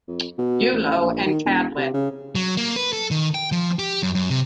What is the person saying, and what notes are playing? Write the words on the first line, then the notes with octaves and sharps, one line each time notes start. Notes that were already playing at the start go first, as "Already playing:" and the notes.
Bulo and Cadlit.
F2
B2
A1
A#1
D#3
E1
C3
C#3
F#3
A#3
B4
A4
D#3
G5
F3
G4
F#2
F#2
C3